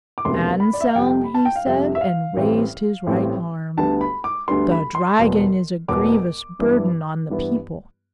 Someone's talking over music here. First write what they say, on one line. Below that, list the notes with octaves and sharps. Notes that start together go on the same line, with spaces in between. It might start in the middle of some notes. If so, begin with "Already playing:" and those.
'Anselm,' he said, and raised his right arm, 'the Dragon is a grievous burden on the people.
D6
E1 D2 C3 E3 B3 C6
B5
D5
E5
F5
F2 C3 G3 G5
B5
A5
G5
F5
F2 C3 G3 E5
E5
F5
A1 A2 E3 G3 C4
A1 A2 E3 G3 C4
D2 D3 G3 B3 A5
B5
D6
D2 D3 G3 B3 C6
B5
C6
E1 E2 B2 B3
E1 E2 B2 B3 D6
G2 E3 B3
G2 E3 B3